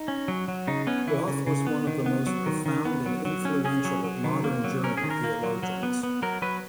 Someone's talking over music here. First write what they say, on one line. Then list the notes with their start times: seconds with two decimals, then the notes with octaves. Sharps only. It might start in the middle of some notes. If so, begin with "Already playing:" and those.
Rothe was one of the most profound and influential of modern German theologians.
Already playing: D#4
0.08 C#4
0.28 F#3
0.48 F#3
0.67 C#3 D#4
0.87 B3 C#4
1.07 E3 E4
1.28 C#3
1.47 C#3
1.67 B3
1.87 D#3
2.06 B3
2.27 F#3
2.46 D#3
2.66 D#3
2.85 B3
3.06 F#3
3.25 F#3
3.45 C#4
3.65 C#4 G#4
3.85 F#3
4.04 F#3
4.24 D#3
4.44 A#3
4.64 F#3
4.84 C#4 A#4
4.97 G#4
5.04 D#3
5.11 A#4
5.24 A#3
5.43 F#3
5.63 F#3
5.83 B3
6.03 B3
6.22 F#3 A#4
6.42 F#3 B4